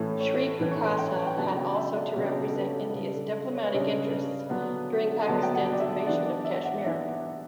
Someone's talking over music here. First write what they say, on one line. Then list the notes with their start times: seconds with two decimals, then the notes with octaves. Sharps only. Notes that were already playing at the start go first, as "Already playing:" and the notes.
Sri Prakasa had also to represent India's diplomatic interests during Pakistan's invasion of Kashmir.
Already playing: A2 E3 A3 C#4
0.20 C#5
0.59 A2 E3 A3 C#4 B4
0.71 C#5
0.83 B4
0.98 G5
1.27 G5
1.37 C#3 F#3 B3 D4 A5
1.57 G5
1.76 E5
1.96 D5
2.16 C#3 F#3 B3 D4 C#5
2.51 A4
2.55 B4
2.74 A4
2.93 C#3 G3 D4 A4
3.14 A4
3.53 C#5
3.64 B4
3.72 C#3 G3 D4 C#5
4.50 D3 F#3 B3 D4
5.28 D3 F#3 B3 D4 A5
5.43 G5
5.54 F#5
5.73 D5
5.80 E5
6.06 E3 B3 D4 D5
6.25 D5
6.45 E5
6.64 F#5
6.83 E3 B3 D4 E5